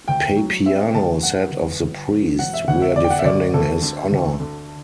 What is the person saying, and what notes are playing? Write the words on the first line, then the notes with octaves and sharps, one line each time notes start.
Papiano said of the priest: We're defending his honor.
D2 G5
F#3
C4 E5
G5
D2 A5
F#2 F#5
G1
G1
F#2
E1 F#5
E5
D2 F#5
E5
D2 D5
G5
F#5
E5
D2 D5
D2 A4
D3
D2
D3